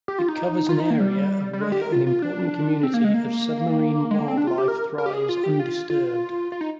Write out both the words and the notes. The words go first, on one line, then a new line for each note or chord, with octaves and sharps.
It covers an area of where an important community of submarine wildlife thrives undisturbed.
G4
F4
D#4
F4
D#4
A#3
G3
G3
G#3
G4
A#4
F4
F4
D4
C4
A#3
G#3
A#3
G#3
A#3
C4
D4
F4
G4
A#4
A#4
G4
G#4
F4
G4
F4
F4
F4
D#4